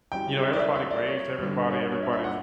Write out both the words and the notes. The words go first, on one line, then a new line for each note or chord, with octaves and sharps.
you know, everybody waves to everybody, everybody's
G2 F#3 C#4 E4 G4 G5
E5
D5
E5
E5
D5
C#5
G1 G2 D3
C#5
C#5
E5
E5
F#5